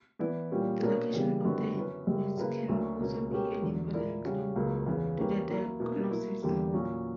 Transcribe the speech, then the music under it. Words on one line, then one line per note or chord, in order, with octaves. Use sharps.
The location of the wheeze can also be an important clue to the diagnosis.
E3 B3 E4 B4 D5
A#2 G3 C#4
B2 A#3 D4 A#4 C#5
C#3 E3 G3
F#2 D3 G3 B3 F#4
F#3 C#4 E4 B4
F#2 C#3 G3
C#3 F#3 A#3 E4 B4
D2 D3 F#3 A#3 C#4
C#2 B2 A#3 C#4
B2 A#3 C#4 G4 A#4
E2 D3 F#3
A#2 A#3 E4 A#4 D5
C#3 G3 C#4 F#4
C#2 C#3 F#3 A#3
E2 C#3 E3 B3
E3 A#3 C#4 G4 B4
F#3 A#3 E4 A#4
B2 A#3 E4
F#3 A#3 E4
E2 D3 G3 A#3
A#2 F#3 C#4